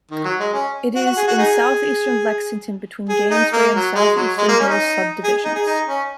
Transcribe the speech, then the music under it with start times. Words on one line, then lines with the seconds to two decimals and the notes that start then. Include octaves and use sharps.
It is in southeastern Lexington between Gainesway and Southeastern Hills Subdivisions.
0.11 D#3
0.25 F#3
0.39 G#3
0.53 C#4
0.95 F#4
1.06 F#4
1.17 G#4
1.27 F#4
1.39 D#4 G#4
3.09 G#4
3.30 D#4
3.53 A#3
3.74 F#3
3.95 G#3
4.16 F#3
4.37 G#3
4.48 A#3
4.60 C#4
4.69 D#4
5.24 G#4
5.44 D#4
5.55 G#4
5.66 D#4
5.87 C#4